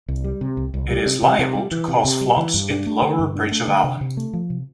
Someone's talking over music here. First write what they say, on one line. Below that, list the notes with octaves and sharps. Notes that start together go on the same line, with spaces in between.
It is liable to cause floods in lower Bridge of Allan.
C2
G3
C3
C2
C2
G3
C3
C3
C3
G3
E3
C3
C3
G3
E3
G2
D4
A3
D3
G2
D4
A3
D3
C3
C3
A3
F3
C3